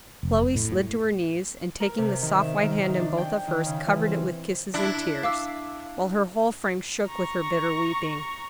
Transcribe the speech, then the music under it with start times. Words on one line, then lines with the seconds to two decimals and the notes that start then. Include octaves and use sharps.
Chloe slid to her knees, and taking the soft white hand in both of hers, covered it with kisses and tears, while her whole frame shook with her bitter weeping.
0.23 F1
0.55 A2
1.80 A#4
1.98 C3
2.23 D#3
2.41 E5
2.63 D#3
2.82 D#3
3.00 D4
3.18 G5
3.47 D#3
3.66 C#3
3.86 E3
4.05 C4
4.74 D4 E4
5.23 F5 D6 E6
7.08 A#5 C#6